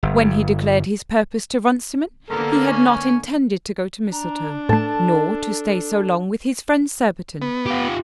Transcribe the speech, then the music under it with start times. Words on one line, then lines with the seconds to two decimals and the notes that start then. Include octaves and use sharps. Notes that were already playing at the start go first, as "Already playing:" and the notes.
When he declared his purpose to Runciman, he had not intended to go to Mistletoe, nor to stay so long with his friend Surbiton.
0.03 G1
2.30 D3 A#3 B3 A4 A#4
2.71 G#5 C#6
4.12 D4 A#5
4.69 A2 A3 A4 A5
7.42 B3
7.66 F4 G4